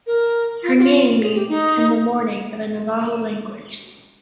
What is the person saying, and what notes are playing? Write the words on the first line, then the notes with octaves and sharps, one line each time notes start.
Her name means "in the morning" in the Navajo language.
A#4
F4
G4
F4
G#4
G4
D#4